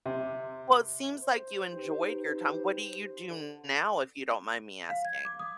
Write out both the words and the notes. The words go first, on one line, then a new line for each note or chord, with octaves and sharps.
Well, it seems like you enjoyed your time, what do you do now, if you don't mind me asking?
C3
C5
D#4 G4 B4
D3
F5
G#6
D6
D#6